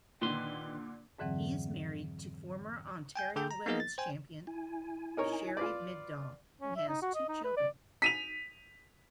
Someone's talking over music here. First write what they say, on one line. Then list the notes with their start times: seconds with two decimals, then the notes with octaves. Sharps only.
He is married to former Ontario women's champion Sherry Middaugh, and has two children.
0.21 A#2 D3 D#3 B4 C6
1.19 F2 G#2 D3 E3 F#3 C4
3.16 G5 G#5 G6
3.36 D3 G#4 G5 G6
3.51 A#5
3.66 A#3 B3 D#4 G#4 A#4 D#5
3.80 A6
3.98 C5 G5 G#5
4.47 E4 G#5
5.17 D#4 A#4 C#5
5.57 F4 B4 D5
6.61 C#4
6.77 E5
6.88 D#4
7.02 F#4
7.15 D#5
7.29 D#4
7.44 B4
7.57 D5
8.02 B6 D#7 F7